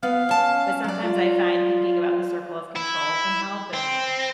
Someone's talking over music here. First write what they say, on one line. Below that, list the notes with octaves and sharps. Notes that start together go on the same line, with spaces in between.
but sometimes I find thinking about the circle of control can help, and
B3 F5
C#4 A5
F#3 D5
F4
E4
C4